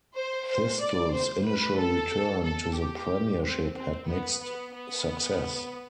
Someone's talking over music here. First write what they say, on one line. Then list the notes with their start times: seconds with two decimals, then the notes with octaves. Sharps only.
Thistle's initial return to the Premiership had mixed success.
0.15 C5
0.48 C5
0.81 D5
1.14 C5
1.46 B4
1.79 A4
2.44 A4
2.77 G4
3.43 C4
3.76 C4
4.08 B3
4.41 B3
4.74 B3